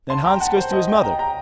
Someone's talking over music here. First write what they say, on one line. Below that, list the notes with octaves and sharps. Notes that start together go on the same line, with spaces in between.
Then Hans goes to his mother.
A5 C6
G5 A#5
F#5 A5
C5
C5 D#5
D#5 G5
G5 A#5
G5 A#5